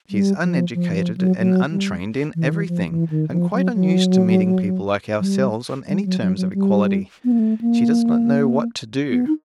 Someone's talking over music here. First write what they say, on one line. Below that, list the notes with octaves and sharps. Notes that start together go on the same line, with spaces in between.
She is uneducated and untrained in everything, and quite unused to meeting people like ourselves on any terms of equality. She does not know what to do.
G3
F3
F3
E3
F3
F#3
F#3
G3
E3
D#3
E3
F3
E3
D#3
F3
F#3
F#3
F#3
G3
G3
F#3
F#3
F#3
G3
B3
A#3
A3
A#3
B3
D#4